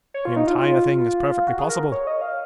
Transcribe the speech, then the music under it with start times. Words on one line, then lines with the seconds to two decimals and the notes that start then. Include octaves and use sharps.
The entire thing is perfectly possible.
0.14 C#5
0.25 F4
0.36 D#4
0.47 F4
0.58 F4
1.48 F#4
1.59 G#4
1.69 A#4
1.92 C#5
2.07 D#5
2.21 F5